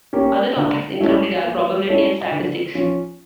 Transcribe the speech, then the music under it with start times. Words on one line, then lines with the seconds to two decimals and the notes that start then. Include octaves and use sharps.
Other topics included are probability and statistics.
0.13 A#3 C#4 G4
0.56 D3
1.00 A3 C#4 E4
1.44 A#3
1.87 C#4 E4 A4 C#5
2.31 D3
2.74 F3 C#4 F4